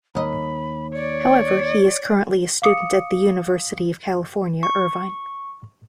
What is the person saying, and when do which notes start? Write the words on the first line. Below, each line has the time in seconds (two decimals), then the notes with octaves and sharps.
However, he is currently a student at the University of California, Irvine.
0.15 D#2 D#5 B5
0.94 C#5 D5
2.62 F5 D6 D#6 C#7
4.63 C#6